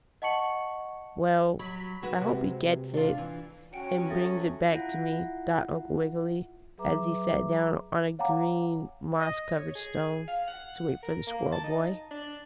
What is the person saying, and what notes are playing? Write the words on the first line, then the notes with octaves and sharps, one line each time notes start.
"Well, I hope he gets it and brings it back to me," thought Uncle Wiggily, as he sat down on a green, moss-covered stone to wait for the squirrel boy.
D#5 F#5 A5 C#6 C#7 F#7
F#3 B5
G#3 F#4 B4
C3
D4 F4
E3
D3 F#3 C#4 F#4 F#5 G5
G4 A4 E5 A6
E4 F4 F#5
F#3 G#4 B4 E5 A#5 D6
C#5 F5 F#5 G#5 A#5 D6
D#5
C#5
G#4
F5
F#5
A#4
A#3
A5
D#4
D4